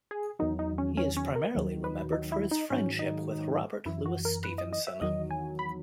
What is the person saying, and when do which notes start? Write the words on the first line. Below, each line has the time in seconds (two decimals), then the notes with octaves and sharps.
He is primarily remembered for his friendship with Robert Louis Stevenson.
0.11 G#4
0.39 E2 D#3 F#3 D#4
0.59 D#4
0.78 C#4
0.97 C#4
1.17 C#4
1.36 A#4
1.55 D#2 D#3 F#3
1.84 B4
2.13 D#4
2.32 E4
2.51 D#4
2.70 G#2 D#3 F#3 C#4
2.99 D#4
3.86 F#2 E3 E4
4.06 F#4
4.25 A#4
4.44 B4
4.58 D#5
4.73 D#5
4.87 E5
5.01 E2 D#3 F#3 D#5
5.31 G#5
5.59 B5